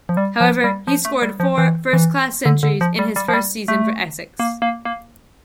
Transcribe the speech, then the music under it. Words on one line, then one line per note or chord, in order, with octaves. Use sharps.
However, he scored four first-class centuries in his first season for Essex.
F3
G3
F3
G3
F3
A3
G3
F3
E3
E3
D3
D3
F3
G3
G3
F3
G3
A3
A#3
A#3
A#3